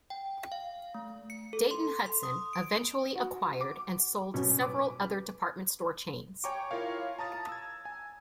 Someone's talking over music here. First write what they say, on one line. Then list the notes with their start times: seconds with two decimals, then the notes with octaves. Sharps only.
Dayton-Hudson eventually acquired and sold several other department store chains.
0.10 G5
0.52 F5
0.95 A3
1.30 C#7
1.53 A4
1.71 C6
2.06 C6
2.23 D#6
2.53 D7
3.16 F#4
3.60 D6
4.34 F#2 B2 C#4
4.58 B4 D6
6.44 C#5 G5 G#5 A#5 C#6 D6
6.71 E4 F4 A#4 C#5 F5
7.19 A5 A#5 D#6 A6
7.49 E6 G#6
7.85 G#5